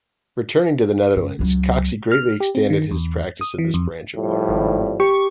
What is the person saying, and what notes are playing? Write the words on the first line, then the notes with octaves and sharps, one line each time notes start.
Returning to the Netherlands, Coxie greatly extended his practice in this branch of art.
F#2
C#2 F#3
F6
G4
C4
D#3
E2
D#6
E3
F2
A2 F3 G3
G#1
G4 C#6